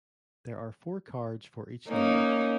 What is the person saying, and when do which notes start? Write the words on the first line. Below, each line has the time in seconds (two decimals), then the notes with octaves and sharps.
There are four cards for each number.
1.89 A#3 C#4 D#4